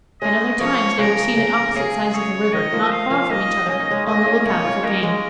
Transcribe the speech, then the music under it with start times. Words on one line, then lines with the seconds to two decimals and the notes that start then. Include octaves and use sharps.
At other times they were seen at opposite sides of the river, not far from each other, on the look out for game.
0.21 G#3 C#4 D#5
0.60 F3 A#3 C#5
0.98 C#3 A#4
1.37 C#3
1.76 C#3 G#4
2.15 C#5
2.52 D#3 D#5
2.72 F3 A#3
2.91 F5
3.10 F3 A#3
3.30 A#3 D#4 D#5
3.69 C#4 D#5
3.80 D#4
3.90 G#3 C#4
4.07 A#3 D#4 D#5
4.26 C#4 F4
4.45 A#3 D#4 C#5
4.64 C#4 F4
4.83 A#3 D#4 A#4
5.03 G#3 C#4